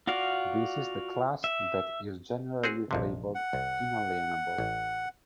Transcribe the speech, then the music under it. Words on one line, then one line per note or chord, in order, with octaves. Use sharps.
This is the class that is generally labeled inalienable.
F4 F#4 D5 F5
E5
C4 F#4 G#4
A#1 F2 C3
F#5
C2
A1